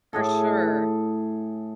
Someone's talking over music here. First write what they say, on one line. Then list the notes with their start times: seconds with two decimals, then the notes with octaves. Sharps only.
For sure.
0.13 A2 G#4 A4